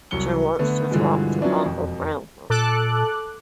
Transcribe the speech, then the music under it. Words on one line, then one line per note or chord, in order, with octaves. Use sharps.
She wants to talk to Uncle Francis.
C2 F#3 C#7 G7
D3 A3 B3
G2 B2 D3 E3 F3 G#3
F3 F#3 B3 C#4 D4 E4
E1 F2
A#2 A4 D6 F#6